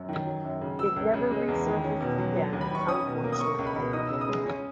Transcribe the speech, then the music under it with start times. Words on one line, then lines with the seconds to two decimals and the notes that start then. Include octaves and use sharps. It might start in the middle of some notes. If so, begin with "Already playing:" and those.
It never resurfaced again, unfortunately.
Already playing: F#2 F#3
0.09 D#3
0.26 F#3
0.44 F#2
0.61 C#3
0.78 F#3 E6
0.96 C#2
1.14 C#3
1.31 G#3
1.48 E2
1.66 D#3
1.84 C#4
2.00 B2
2.18 F#3
2.36 F#3
2.53 D#2
2.61 B5
2.70 D#3 C#6
2.88 C#4 D#6
3.06 B2
3.24 A#3
3.32 D#6
3.40 A#3 C#6
3.59 C#2
3.66 B5
3.75 B2
3.93 D#4 D#6
4.07 C#3 E6
4.21 D#6
4.29 G#3
4.46 C#4